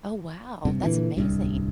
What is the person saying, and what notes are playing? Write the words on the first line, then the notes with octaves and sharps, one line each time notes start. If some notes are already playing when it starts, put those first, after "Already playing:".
Oh, wow, that's amazing.
G2 C3
A#2 D3 E3
D1 C2 G2